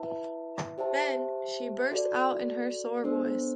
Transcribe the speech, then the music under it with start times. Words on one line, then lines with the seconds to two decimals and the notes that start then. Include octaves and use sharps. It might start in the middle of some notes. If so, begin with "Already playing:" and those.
Then, she burst out in her sore voice.
Already playing: E4 B4 E5 A5
0.78 G4 C5 E5 A5
1.91 F#4 A4 D5
3.04 B3 D4 A4 C5